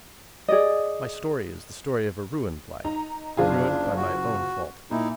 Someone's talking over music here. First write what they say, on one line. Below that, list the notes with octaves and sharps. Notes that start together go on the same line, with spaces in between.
My story is the story of a ruined life--ruined by my own fault.
G#4 D5 D#5
D#4 A#5
F#1 D4 F4 G#4
F#4
A#2 D#4 E4